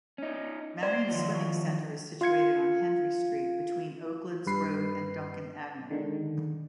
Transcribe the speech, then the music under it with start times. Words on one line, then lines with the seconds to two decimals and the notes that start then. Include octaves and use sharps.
Marion Swimming Centre is situated on Hendrie Street between Oaklands Road and Duncan Avenue.
0.18 C#4 D#4
0.83 C5 D5
1.09 D#3 F3 F#3
1.34 C#6
2.21 F4 F5 G#6 C#7
4.47 G2 B4 C7
5.90 D3 D#3 G#3